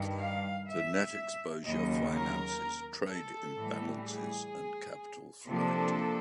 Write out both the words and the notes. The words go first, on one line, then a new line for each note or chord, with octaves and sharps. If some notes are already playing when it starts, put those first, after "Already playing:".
The net exposure finances trade imbalances and capital flight.
Already playing: G2 D#3 G3
F5
E5
D#2 C#3 F#3 D#5
A#4
A4
A2 E3 G3
G#4
C3 F3 A#3 D4 A4